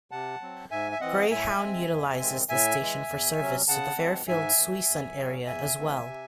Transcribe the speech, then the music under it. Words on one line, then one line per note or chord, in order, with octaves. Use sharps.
Greyhound utilizes this station for service to the Fairfield-Suisun area as well.
C3 F#5 A5
F#3 C4
G#2 E5 G#5
E5
E3 C4 D#5 F#5
A2 E5 G#5
G#3 C4
E2
C3 D#3 G#3 C4
A2 E5 G#5
E3 G#3
E2
C3 F#3 C#4
C#3 F#5 A5
E3 G#3 C4
G#2 E5 G#5
E3 A3
E2
C#3 F#3 C#4
E2 E5 G#5
C#3 E3 A3 C4
C3